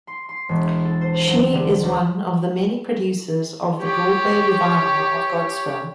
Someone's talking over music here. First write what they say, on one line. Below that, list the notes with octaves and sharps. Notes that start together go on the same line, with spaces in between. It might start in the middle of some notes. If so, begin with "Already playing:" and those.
She is one of the many producers of the Broadway revival of "Godspell".
C6
C6
E1
A4
C5
C5
F#3
D3
D2
G4 C#5